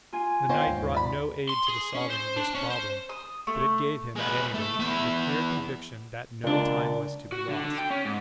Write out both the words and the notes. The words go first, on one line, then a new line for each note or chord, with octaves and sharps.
The night brought no aid to the solving of this problem; but it gave him, at any rate, the clear conviction that no time was to be lost.
F4 G#5
F3 B3 D4 C5 C#5 D#5 F5 G5
D#1 D#2 G#2
D5 B5
C6
G#4
C#4
C5
D4
C#4
C5
D#6
A3
G#3 B4
A3
E2 E5
C#2 A#2 D4
F#4
D3
D3
G5
C#4
G#2